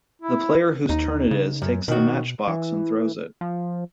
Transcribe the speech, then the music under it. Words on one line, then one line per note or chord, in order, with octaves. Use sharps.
The player whose turn it is takes the matchbox and throws it.
E4
D#2 D#4
C#3
F#2
B2 D#3 F#4
E3
F3